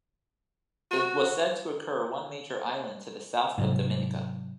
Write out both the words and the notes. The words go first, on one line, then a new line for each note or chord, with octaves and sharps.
It was said to occur one major island to the south of Dominica.
F#4
G#2 C3 F#3